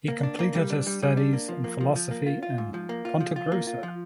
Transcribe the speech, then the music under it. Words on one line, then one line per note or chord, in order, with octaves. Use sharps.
He completed his studies in philosophy in Ponta Grossa.
A#3
D4
A#3
G3
D4
G3
G3
D4
A#3
F3
A#3
F3
F3
A#3
F4
F4
G#2
F3
A#3
F4
F3
F4
A#3
F4
F3